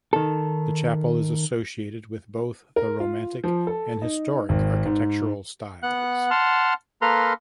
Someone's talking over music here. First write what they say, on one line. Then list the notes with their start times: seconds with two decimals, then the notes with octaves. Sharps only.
The chapel is associated with both the Romantic and Historic architectural styles.
0.13 D#3 A4
2.76 A#4
3.00 F4
3.44 F3
3.67 A4
4.02 D#4
4.49 G#1
4.85 G#2
5.83 B3 F#5 F#6
6.31 F#5 A5 C6 F6
7.02 A#3 A4 B4 A#5 C6 F6